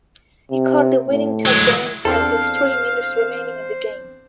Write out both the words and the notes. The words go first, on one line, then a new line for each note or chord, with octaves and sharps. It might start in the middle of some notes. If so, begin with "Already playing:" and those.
He caught the winning touchdown pass with three minutes remaining in the game.
C3
A2
F#3 G#3
E2 C4 D4 A4 C5 F5